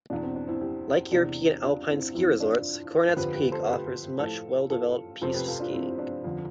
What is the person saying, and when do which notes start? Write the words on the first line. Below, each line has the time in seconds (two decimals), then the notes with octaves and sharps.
Like European Alpine ski resorts, Coronet's Peak offers much well-developed piste skiing.
0.10 E2 B2 D4
0.22 C4
0.35 D4
0.48 C4 E4
0.61 E4 G4
1.12 E2 C3 E3 D4
1.63 D4 F4
1.89 C4 E4
2.15 F2 E3 C4 E4
2.40 D4 F4
3.09 C5
3.17 F2 D3 F3 G4 B4
3.34 G4 B4
3.52 A4 C5
3.68 G4 B4
4.19 A2 F3 F4 A4
4.70 F4 A4
5.22 F2 C3 F3 A4 C5
5.34 G4 B4
5.47 F4 A4
5.60 D4 F4
5.73 C4 E4
5.99 D4
6.24 F2 D3 F3